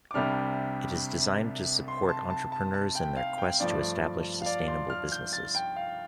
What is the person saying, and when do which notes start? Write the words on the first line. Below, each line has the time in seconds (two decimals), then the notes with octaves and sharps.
It is designed to support entrepreneurs in their quest to establish sustainable businesses.
0.11 D6
0.14 C2 C3 G3 D4 F6
1.88 C6
2.09 A5
2.30 A5
2.52 A5
2.74 A5
2.95 G5
3.17 F5
3.38 G5
3.60 G2 F3 A3 D5
4.42 F5
4.46 D5
4.68 C6
4.90 F6
5.12 G6
5.33 A6
5.55 G5
5.76 F5